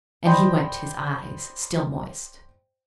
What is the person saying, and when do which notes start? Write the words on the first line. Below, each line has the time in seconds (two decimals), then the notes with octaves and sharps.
And he wiped his eyes, still moist.
0.25 C5 D5 D#5 G5 B5 C6